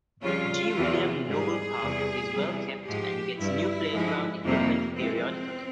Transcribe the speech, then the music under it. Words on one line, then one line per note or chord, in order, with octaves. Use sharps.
G. William Noble Park is well kept and gets new playground equipment periodically.
F2 C#3 G3 F4
E2 C3 E3
G#2 G3 G#4
E2 C3 G3
E2 C3 E3 G3
G#2 F3 G#3 G4
G2 G3 E4
G#2 F3 G#3
F2 C3 G3 A#3
F2 E3 G#3 C4